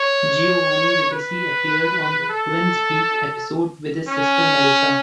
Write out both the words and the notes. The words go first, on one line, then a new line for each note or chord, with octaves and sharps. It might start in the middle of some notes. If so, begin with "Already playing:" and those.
Giovanni Ribisi appeared on the "Twins' week" episode with his sister Marissa.
Already playing: C#5
B4
A4
C#4